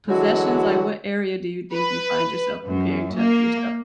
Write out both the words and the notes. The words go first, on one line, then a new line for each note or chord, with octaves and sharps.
possessions? Like, what area do you think you find yourself comparing to yourself?
D3 E3 F#3 G#3 E4 F#4
B4
F#2
A#3